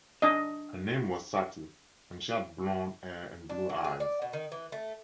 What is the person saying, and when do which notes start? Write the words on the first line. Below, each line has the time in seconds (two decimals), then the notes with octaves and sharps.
Her name was Sati, and she had blonde hair and blue eyes.
0.22 D4 D#5
3.50 D4
3.69 F#3
3.84 G#4
4.00 D5
4.22 B2
4.33 D#3
4.52 E3
4.72 A3